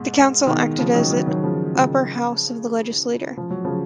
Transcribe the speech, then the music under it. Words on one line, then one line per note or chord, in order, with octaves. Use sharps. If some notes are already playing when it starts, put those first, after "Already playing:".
The council acted as an upper house of the legislature.
Already playing: G#2 B2
B2 D#3
C#3 F3
D#3 F#3
D#3 F#3
D#3 F#3
C#3 F3
C#3 F3
F3
F#3
C#3 F3